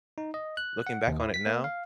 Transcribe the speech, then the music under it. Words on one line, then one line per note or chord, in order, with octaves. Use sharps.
looking back on it now
D#4
D#5
F#6
F#5
D#2
E4
B6
A#3
F5